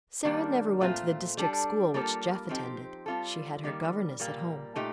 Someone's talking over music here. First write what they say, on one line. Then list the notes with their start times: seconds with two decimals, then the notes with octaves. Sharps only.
Sara never went to the district school which Jeff attended; she had her governess at home.
0.24 D#3 G3 A#3 D4
0.81 A#2 A3 C4 F4
1.37 G3 D4 A4
1.94 G3 A#3 F4 A4
2.49 F3 C4 D#4 G4
3.06 G3 C4 F4 A4
3.63 D#3 G3 A#3
4.20 A#2 G3 A#3
4.76 A#2 A3 D#4 G4